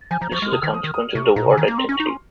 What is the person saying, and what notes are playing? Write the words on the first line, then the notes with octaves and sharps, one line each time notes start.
This is a consequence of the Ward identity.
F3 G#5
F3 A#5
F3 C#6
G#3 F6
C3 D#6
D#3
F3 D#6
D#3
D#6
C3 C#6
A#2 A#5
C#3
G#5
D#3 A#5
A#3
A#5
C4 C6
C#4
C#6
D#4
C6
C#4